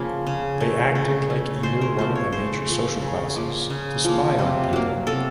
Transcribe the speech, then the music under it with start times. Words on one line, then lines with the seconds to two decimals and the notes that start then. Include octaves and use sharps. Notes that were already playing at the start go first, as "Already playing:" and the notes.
They acted like either one of the major social classes to spy on people.
Already playing: C#3 F3 A#3
0.27 C#3
0.60 A3
0.95 C#3
1.30 A3
1.63 C#3 C5
1.82 A#4
1.98 F3 A3 C5
2.15 C#5
2.32 C#3 C5
2.67 F3 A3
3.01 C#3
3.36 F3 A#3
3.70 C#3
4.04 F3 A#3
4.38 C3
4.73 F#3 A#3
5.07 C3 A4